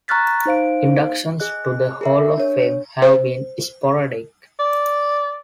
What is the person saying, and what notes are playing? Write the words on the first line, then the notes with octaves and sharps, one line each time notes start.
Inductions to the hall of fame have been sporadic.
A#5 C#6 F6 F#6 A6 B6
D#4 C5 F5 D7
G#4 D#5 F#6
G#4 A#4 E5
D4 C#5
C5
D5